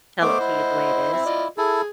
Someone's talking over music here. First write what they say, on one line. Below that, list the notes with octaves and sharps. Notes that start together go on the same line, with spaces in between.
tell it to you the way it is.
A3 B3 C5 D#5 F#5 D6
E4
C4 E5
F4 D5 D#5
E4 G#4 A4